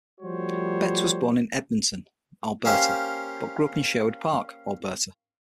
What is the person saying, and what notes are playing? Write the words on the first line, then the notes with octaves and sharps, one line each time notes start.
Betts was born in Edmonton, Alberta, but grew up in Sherwood Park, Alberta.
F3 G3 A3 F#4 C5 C#5
A#3 C#4 G4 C5 F5